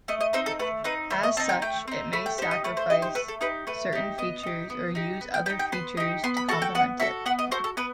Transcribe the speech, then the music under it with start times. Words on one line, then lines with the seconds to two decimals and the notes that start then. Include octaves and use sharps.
As such, it may sacrifice certain features, or use other features to complement it.
0.08 A3 D#5
0.21 D#5
0.33 C4 D#4 C5
0.46 A4
0.59 A3 B4
0.84 C4 D#4 B4
1.10 A3 C5
1.23 D#5
1.37 C4 A5
1.40 D#4
1.49 G5
1.62 A3 G5
1.88 C4 D#4
2.13 A3 B5
2.26 G5
2.38 G4 C5
2.42 D#4
2.51 D#5
2.64 A3 B4
2.77 C5
2.90 D#4 G4 D#5
3.02 C5
3.15 A3 B4
3.28 A4
3.41 D#4 G4 B4
3.67 A3 B4
3.93 D#4 G4
4.18 B3 D#5
4.43 D#4 G4
4.70 B3
4.95 D#4 G4
5.21 B3
5.34 G5
5.46 G4 G5
5.50 D#4
5.59 G5
5.72 B3 C6
5.97 D#4 G4
6.24 B3 C6
6.37 B5
6.49 F#4 A4 A5
6.62 G5
6.75 B3 F#5
7.00 F#4 A4 E5
7.26 B3 F#5
7.39 D#5
7.51 F#4 A4 C5
7.64 A4
7.77 B3 B4